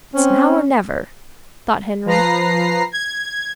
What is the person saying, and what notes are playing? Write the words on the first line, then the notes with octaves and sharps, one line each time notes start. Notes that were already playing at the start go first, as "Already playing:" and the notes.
"It's now or never," thought Henry.
C4 C#4
F3 B4 A#5 A#6 C7
G#6